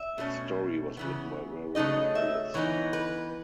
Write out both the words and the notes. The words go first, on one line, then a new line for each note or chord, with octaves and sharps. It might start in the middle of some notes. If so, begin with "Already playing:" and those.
Its story was written by Warren Ellis.
Already playing: E5
B2 A3 C#4
C#3 E3 B3
C#3 F#3 A3 D#4 D#5
E5
E3 B3 D#4 C#5
B4